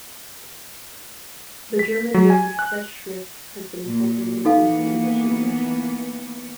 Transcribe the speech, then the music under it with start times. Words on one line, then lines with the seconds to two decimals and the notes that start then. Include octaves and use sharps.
The German word "Festschrift" has been incorporated into the English language.
1.79 B6
2.14 F#3
2.30 G#5
2.59 F#6
3.87 A#2
4.45 E3 A#3 B3 D#4 A4 F5